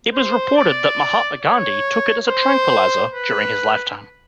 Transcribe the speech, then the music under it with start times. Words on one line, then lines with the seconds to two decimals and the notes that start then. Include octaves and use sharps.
It was reported that Mahatma Gandhi took it as a tranquilizer during his lifetime.
0.13 C5
0.56 D5
1.42 C#5
2.28 C5
3.14 B4